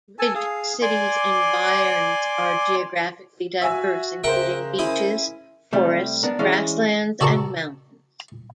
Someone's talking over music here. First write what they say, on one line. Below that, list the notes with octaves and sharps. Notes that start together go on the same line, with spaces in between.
Ridge City's environs are geographically diverse, including beaches, forests, grasslands and mountains.
A4 G#5 A5
G#4 F5
D5 G#5 C6 D6
F#4 E5 G#5 E6
C#3 A#4 C5 E5 F#5 G5
C#4 E4 G#4
C3 G3 A3
B3 D4 A#4
E3 G#3 C#4 D5 F5
F#4 A4 D5 A5 A#5 C#6